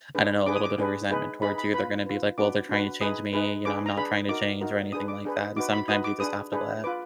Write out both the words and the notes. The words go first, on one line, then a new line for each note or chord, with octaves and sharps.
I don't know, a little bit of resentment towards you, they're gonna be like, "Well, they're trying to change me, you know, I'm not trying to change or anything like that," and sometimes you just have to let,
D4 G#4 B4
D4 G#4 B4 D6
D#6
D6
D4 G#4 B4
D#4 G#4 B4
D#4 G#4 B4 B5
B5
F4 B4 B5
F4 B4
D4 F#4 B4 D6
D4 F#4 B4
D#4 G#4 B4 D#6
D#4 G#4 B4
D4 G#4 B4 D6
A#5
D4 G#4 B4 B5
D#4 F#4 A#4 D6
D#4 F#4 A#4
D4 G#4 B4 D#6
D6
D4 G#4 B4
D#4 F#4 B4 D6
B5
D#4 F#4 B4 D#6
D6
D4 G#4 B4 D#6
D4 G#4 B4
F4 B4 D6